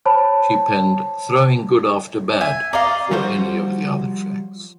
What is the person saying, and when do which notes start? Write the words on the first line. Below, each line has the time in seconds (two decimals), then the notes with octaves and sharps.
She penned "Throwing Good After Bad" before any of the other tracks.
0.05 C5 C#5 A5 B5
2.41 E5 G#5
2.73 D5 D#5 F5 A#5
3.11 F3 G3 F#4 C5